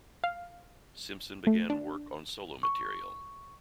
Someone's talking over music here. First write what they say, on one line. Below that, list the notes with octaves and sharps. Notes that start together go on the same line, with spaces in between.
Simpson began work on solo material.
F5
A3
D4
C#6